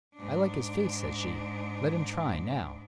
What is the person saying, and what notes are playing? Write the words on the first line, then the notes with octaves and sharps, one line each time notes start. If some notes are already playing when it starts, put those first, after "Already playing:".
"I like his face," said she; "let him try, now."
G#2 D4